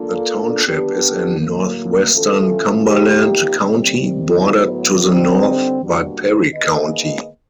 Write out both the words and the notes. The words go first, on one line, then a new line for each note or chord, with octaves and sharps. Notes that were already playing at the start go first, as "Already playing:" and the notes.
The township is in northwestern Cumberland County, bordered to the north by Perry County.
Already playing: A#3 D4 F4 A4
B3 D4 G4 B4
A2 F#3 A#3
E3 A3 C#4 F4 A4
C3 F3 A#3 D#4 G4
C3 D#3 G3 C4
A2 F#3 B3 E4
D3 G3 C4 D#4
B2 G3 A#3 D4 F#4
A#3 D#4 G#4 B4 D#5